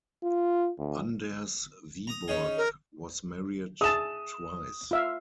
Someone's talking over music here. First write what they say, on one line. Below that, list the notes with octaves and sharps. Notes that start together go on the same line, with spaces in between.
Anders Wiborg was married twice.
F4
D2
A#5 D#6
C#4 D#4 G#4
A#4
G#4 E5 A5 D#6 E7
F4 E5 F5